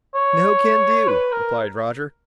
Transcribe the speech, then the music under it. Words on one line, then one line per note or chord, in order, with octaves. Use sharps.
"No can do," replied Roger.
C#5
B4
A#4